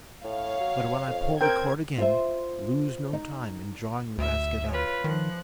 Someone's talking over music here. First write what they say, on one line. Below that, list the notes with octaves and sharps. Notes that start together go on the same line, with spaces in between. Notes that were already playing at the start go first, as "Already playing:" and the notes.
But when I pull the cord again, lose no time in drawing the basket up.'
A2 C#5 F5
F#3
F2
C4 A#4 G5 G#6
F4 C5 E5
D#4
D2 E5
F4 B4 C#5
D#3 F3 F#6